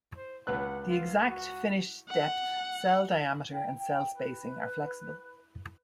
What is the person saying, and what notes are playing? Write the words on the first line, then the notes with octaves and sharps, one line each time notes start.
The exact finished depth, cell diameter and cell spacing are flexible.
C5
C#2 B4 F#5 F#6
F4
F#4
F#5
G5
G5
B4